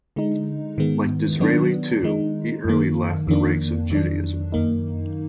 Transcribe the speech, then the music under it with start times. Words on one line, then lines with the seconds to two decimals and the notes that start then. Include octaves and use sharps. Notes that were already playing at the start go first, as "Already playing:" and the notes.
Like Disraeli, too, he early left the ranks of Judaism.
0.16 D3 G#3 D#4
0.78 G#2 D#3 G#3 B3
1.40 D#3 F#3 B3 D4
2.03 D#3 G#3 D#4
2.65 F#2 D#3 A#3
3.27 F2 D#3 A#3 D4
3.90 F2 D#3 F#3 D4
4.52 F#2 D#3 A#3 D#4